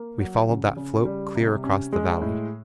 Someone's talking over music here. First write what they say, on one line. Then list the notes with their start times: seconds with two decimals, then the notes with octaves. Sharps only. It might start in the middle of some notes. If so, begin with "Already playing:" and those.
We followed that "float" clear across the valley.
Already playing: A#3
0.20 F#3
0.49 C#3
0.77 C#3
1.05 G3
1.35 C3
1.64 C#4
1.93 G#3
2.22 A2